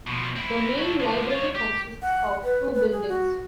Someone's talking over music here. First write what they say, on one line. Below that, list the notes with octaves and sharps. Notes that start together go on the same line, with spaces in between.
The Main Library consists of two buildings.
B2 F3
C4 E4
F#3 A4
D3 F3
F4 C#5
G4
F#5
B4
B4
G#4
F#4